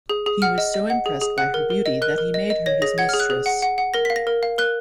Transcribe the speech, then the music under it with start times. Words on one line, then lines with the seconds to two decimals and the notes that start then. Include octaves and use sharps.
He was so impressed by her beauty that he made her his mistress.
0.10 G#4
0.26 G#4
0.42 F#5 F6
0.58 D#5
0.74 D#5
0.90 F#5
1.06 G#4
1.21 G#4
1.38 F#5 F#6
1.54 A#4
1.70 A#4
1.86 D#5
2.02 A#4 F#6
2.18 A#4
2.34 D#5
2.50 D#5
2.66 C#5 A#6
2.82 G#4 A#6
2.98 F#5 G#6
3.09 F6
3.14 G#4
3.20 F#6
3.30 G#4
3.46 F#5
3.62 F#5
3.78 F#5
3.94 A#4 A#6
4.05 F5 B6
4.16 A#6
4.27 A#4
4.43 F5
4.58 A#4 F#6